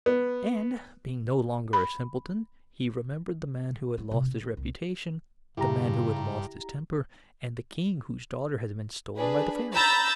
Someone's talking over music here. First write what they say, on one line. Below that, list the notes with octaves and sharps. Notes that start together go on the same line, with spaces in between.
And being no longer a simpleton, he remembered the man who had lost his reputation, the man who had lost his temper, and the king whose daughter had been stolen by the fairies.
B3
B5
G#3
C3
D#4
D#3
C2
G2 C#3 E4 G4 A#5
D4 G#4 B4
A#5 B5 E6 G6 A6